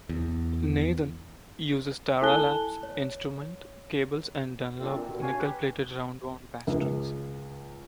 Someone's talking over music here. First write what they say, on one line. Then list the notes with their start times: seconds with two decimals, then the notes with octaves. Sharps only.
Nathan uses Tara Labs instrument cables and Dunlop nickel-plated roundwound bass strings.
0.09 E2
2.22 E4 A4 G#5 A5 F#6 G7
2.83 C#5
4.80 G3 A3 A#3 C4 D4 F4
4.95 A#2 C4
5.08 G2 B2 D3
5.22 A#3 C#4 D4 F#4 F5 G#5
5.39 G4 B4
6.67 C#2